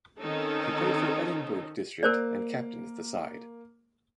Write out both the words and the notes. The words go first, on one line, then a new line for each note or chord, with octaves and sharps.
He played for Edinburgh District and captained the side.
D#3 C4 C#4 D#4 A4
A#3 A#4 C5 D5